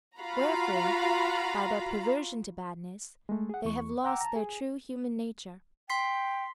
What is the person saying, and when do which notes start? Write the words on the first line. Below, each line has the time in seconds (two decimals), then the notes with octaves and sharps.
Wherefore, by their perversion to badness, they have lost their true human nature.
0.19 F4 F#4 F5 A#5 B5
3.29 G#3 A3
3.49 G#4 F#5
3.65 E2 C#6
4.04 F#5 G5 A#5 D6 E6
4.21 A5 A#5
4.36 G#4 G#5
5.90 G5 C6 B6 C7